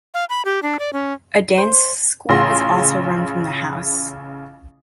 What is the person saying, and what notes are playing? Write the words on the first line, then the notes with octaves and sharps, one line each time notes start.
A dance school was also run from the house.
F5
B5
G4
D4
D5
C#4
C5
A1 C#3 F4 G#4 C6 A#6